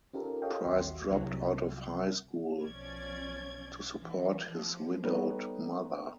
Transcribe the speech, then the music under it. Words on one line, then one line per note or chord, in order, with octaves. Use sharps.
Price dropped out of high school to support his widowed mother.
C#4 D#4 F4 G4 A4 A#4
G4 A4 C#5 D#5 F5 G5
A1 D#2 F#4 C6
C2 F#3
B1 F3 C#4 D5 G#6
E3
F3
G3 B3 D#4 A4 B4 C#5